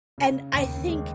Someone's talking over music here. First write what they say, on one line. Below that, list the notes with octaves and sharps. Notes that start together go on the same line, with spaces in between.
and I think
C#3
D#2
G#3